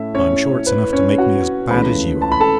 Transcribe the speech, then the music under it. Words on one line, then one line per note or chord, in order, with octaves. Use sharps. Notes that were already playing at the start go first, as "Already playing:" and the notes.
I'm sure it's enough to make me as bad as you are.
Already playing: A2 A3 C#4 E4 E5
C#4 C#5
B4
C#4 C#5
F#4 F#5
C#2 C#3 E3 A3 E4 B4 B5
A5
B5
A4 A5